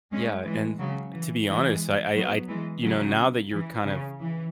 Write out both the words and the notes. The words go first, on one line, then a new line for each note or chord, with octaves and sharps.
Yeah, and to be honest, I I I you know, now that you're kind of
G#3 C#4
E3 G#3
C#3 F#3
E3
E3 G#3
F#3 B3
E3 G#3
C#3 F#3
E3
C#3
E3